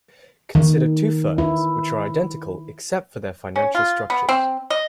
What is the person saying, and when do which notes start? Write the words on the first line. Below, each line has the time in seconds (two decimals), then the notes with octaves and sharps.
Consider two firms which are identical except for their financial structures.
0.55 D#3
1.38 E4
3.56 C#4
3.75 F4
4.10 B3
4.29 C4
4.70 D#5